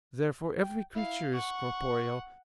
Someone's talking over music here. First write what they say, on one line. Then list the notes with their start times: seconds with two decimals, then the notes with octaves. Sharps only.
Therefore, every creature is corporeal.
0.61 G5
0.95 E4 F5
1.34 F#5 C#6